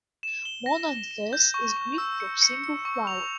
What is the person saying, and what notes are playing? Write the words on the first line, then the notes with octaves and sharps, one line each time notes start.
"Monanthes" is Greek for "single flower".
E7
G7
A#6
A#6
E7
G6
C#6
C#6
E6
C#7
C#7
C#7
C#6
F7